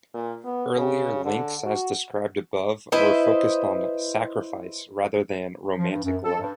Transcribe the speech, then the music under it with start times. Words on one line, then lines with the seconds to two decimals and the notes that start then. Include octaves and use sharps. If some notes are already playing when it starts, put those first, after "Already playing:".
Earlier links as described above were focused on "sacrifice" rather than romantic love.
0.14 A#2
0.44 B3
0.77 C#3
1.25 D3
1.65 F#4
2.92 E4 B4 C5 D#5
5.78 F3
5.90 G2
6.04 F#2
6.24 A4
6.41 G2